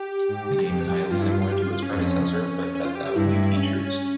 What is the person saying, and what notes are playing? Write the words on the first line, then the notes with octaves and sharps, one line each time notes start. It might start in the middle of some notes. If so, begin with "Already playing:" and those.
The game is highly similar to its predecessor, but sets out new features.
Already playing: G4
G#2
F2
G2 F4
E4
F4
F4
G4
F4
F4
C#4
F2 C#4
C#4
F4
G4
G4
G2 E4
E4
E4
C#4